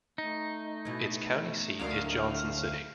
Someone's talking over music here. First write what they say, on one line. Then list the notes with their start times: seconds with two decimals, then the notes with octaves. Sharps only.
Its county seat is Johnson City.
0.18 A3 D#4
0.85 B2 E3
1.79 D2 F#3 D4 A#4 F5